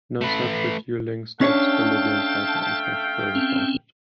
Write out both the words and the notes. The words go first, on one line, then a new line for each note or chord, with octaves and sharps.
No such refueling stops for Libyan fighter aircraft were reported.
A3 B4
A3 C#4 D4 C#5 F5 G5 A5
C4 C#4